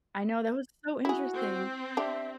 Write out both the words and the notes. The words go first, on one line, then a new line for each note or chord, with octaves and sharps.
I know that was so interesting.
E4 F#4 G#4
C4
D4 G4 E5